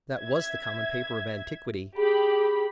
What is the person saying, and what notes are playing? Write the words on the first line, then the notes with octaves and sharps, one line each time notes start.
"That was the common paper of antiquity."
E5 G#6
G4 G#4 B5